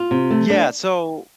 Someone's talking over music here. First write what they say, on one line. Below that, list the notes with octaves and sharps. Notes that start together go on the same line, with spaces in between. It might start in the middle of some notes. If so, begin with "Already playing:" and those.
Yeah, so
Already playing: F4
C3
A3
D4